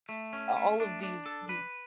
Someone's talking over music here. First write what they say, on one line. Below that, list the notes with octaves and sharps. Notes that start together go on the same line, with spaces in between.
a all of these these
A3
C#4
A3
D4
D4
A4
B4